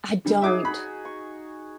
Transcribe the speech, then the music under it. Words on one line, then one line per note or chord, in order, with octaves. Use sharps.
I don't.
D3 G3
D#4 F#4 G#4 E5 D6
F#4 B5
C#6